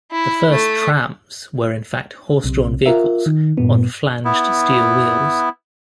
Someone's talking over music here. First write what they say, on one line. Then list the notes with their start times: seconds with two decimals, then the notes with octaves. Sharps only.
The first "trams" were in fact horse-drawn vehicles on flanged steel wheels.
0.12 E4
0.50 A3
2.44 B1 C3
2.86 F4 A#4 E5
3.26 D#3
3.57 G2 A#2 B3
4.25 B3 E4